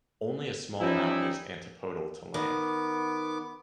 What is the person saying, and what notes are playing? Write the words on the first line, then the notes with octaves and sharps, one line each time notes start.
Only a small amount is antipodal to land.
F3 G3 C#4 D#4 E4
D#3 B3 D6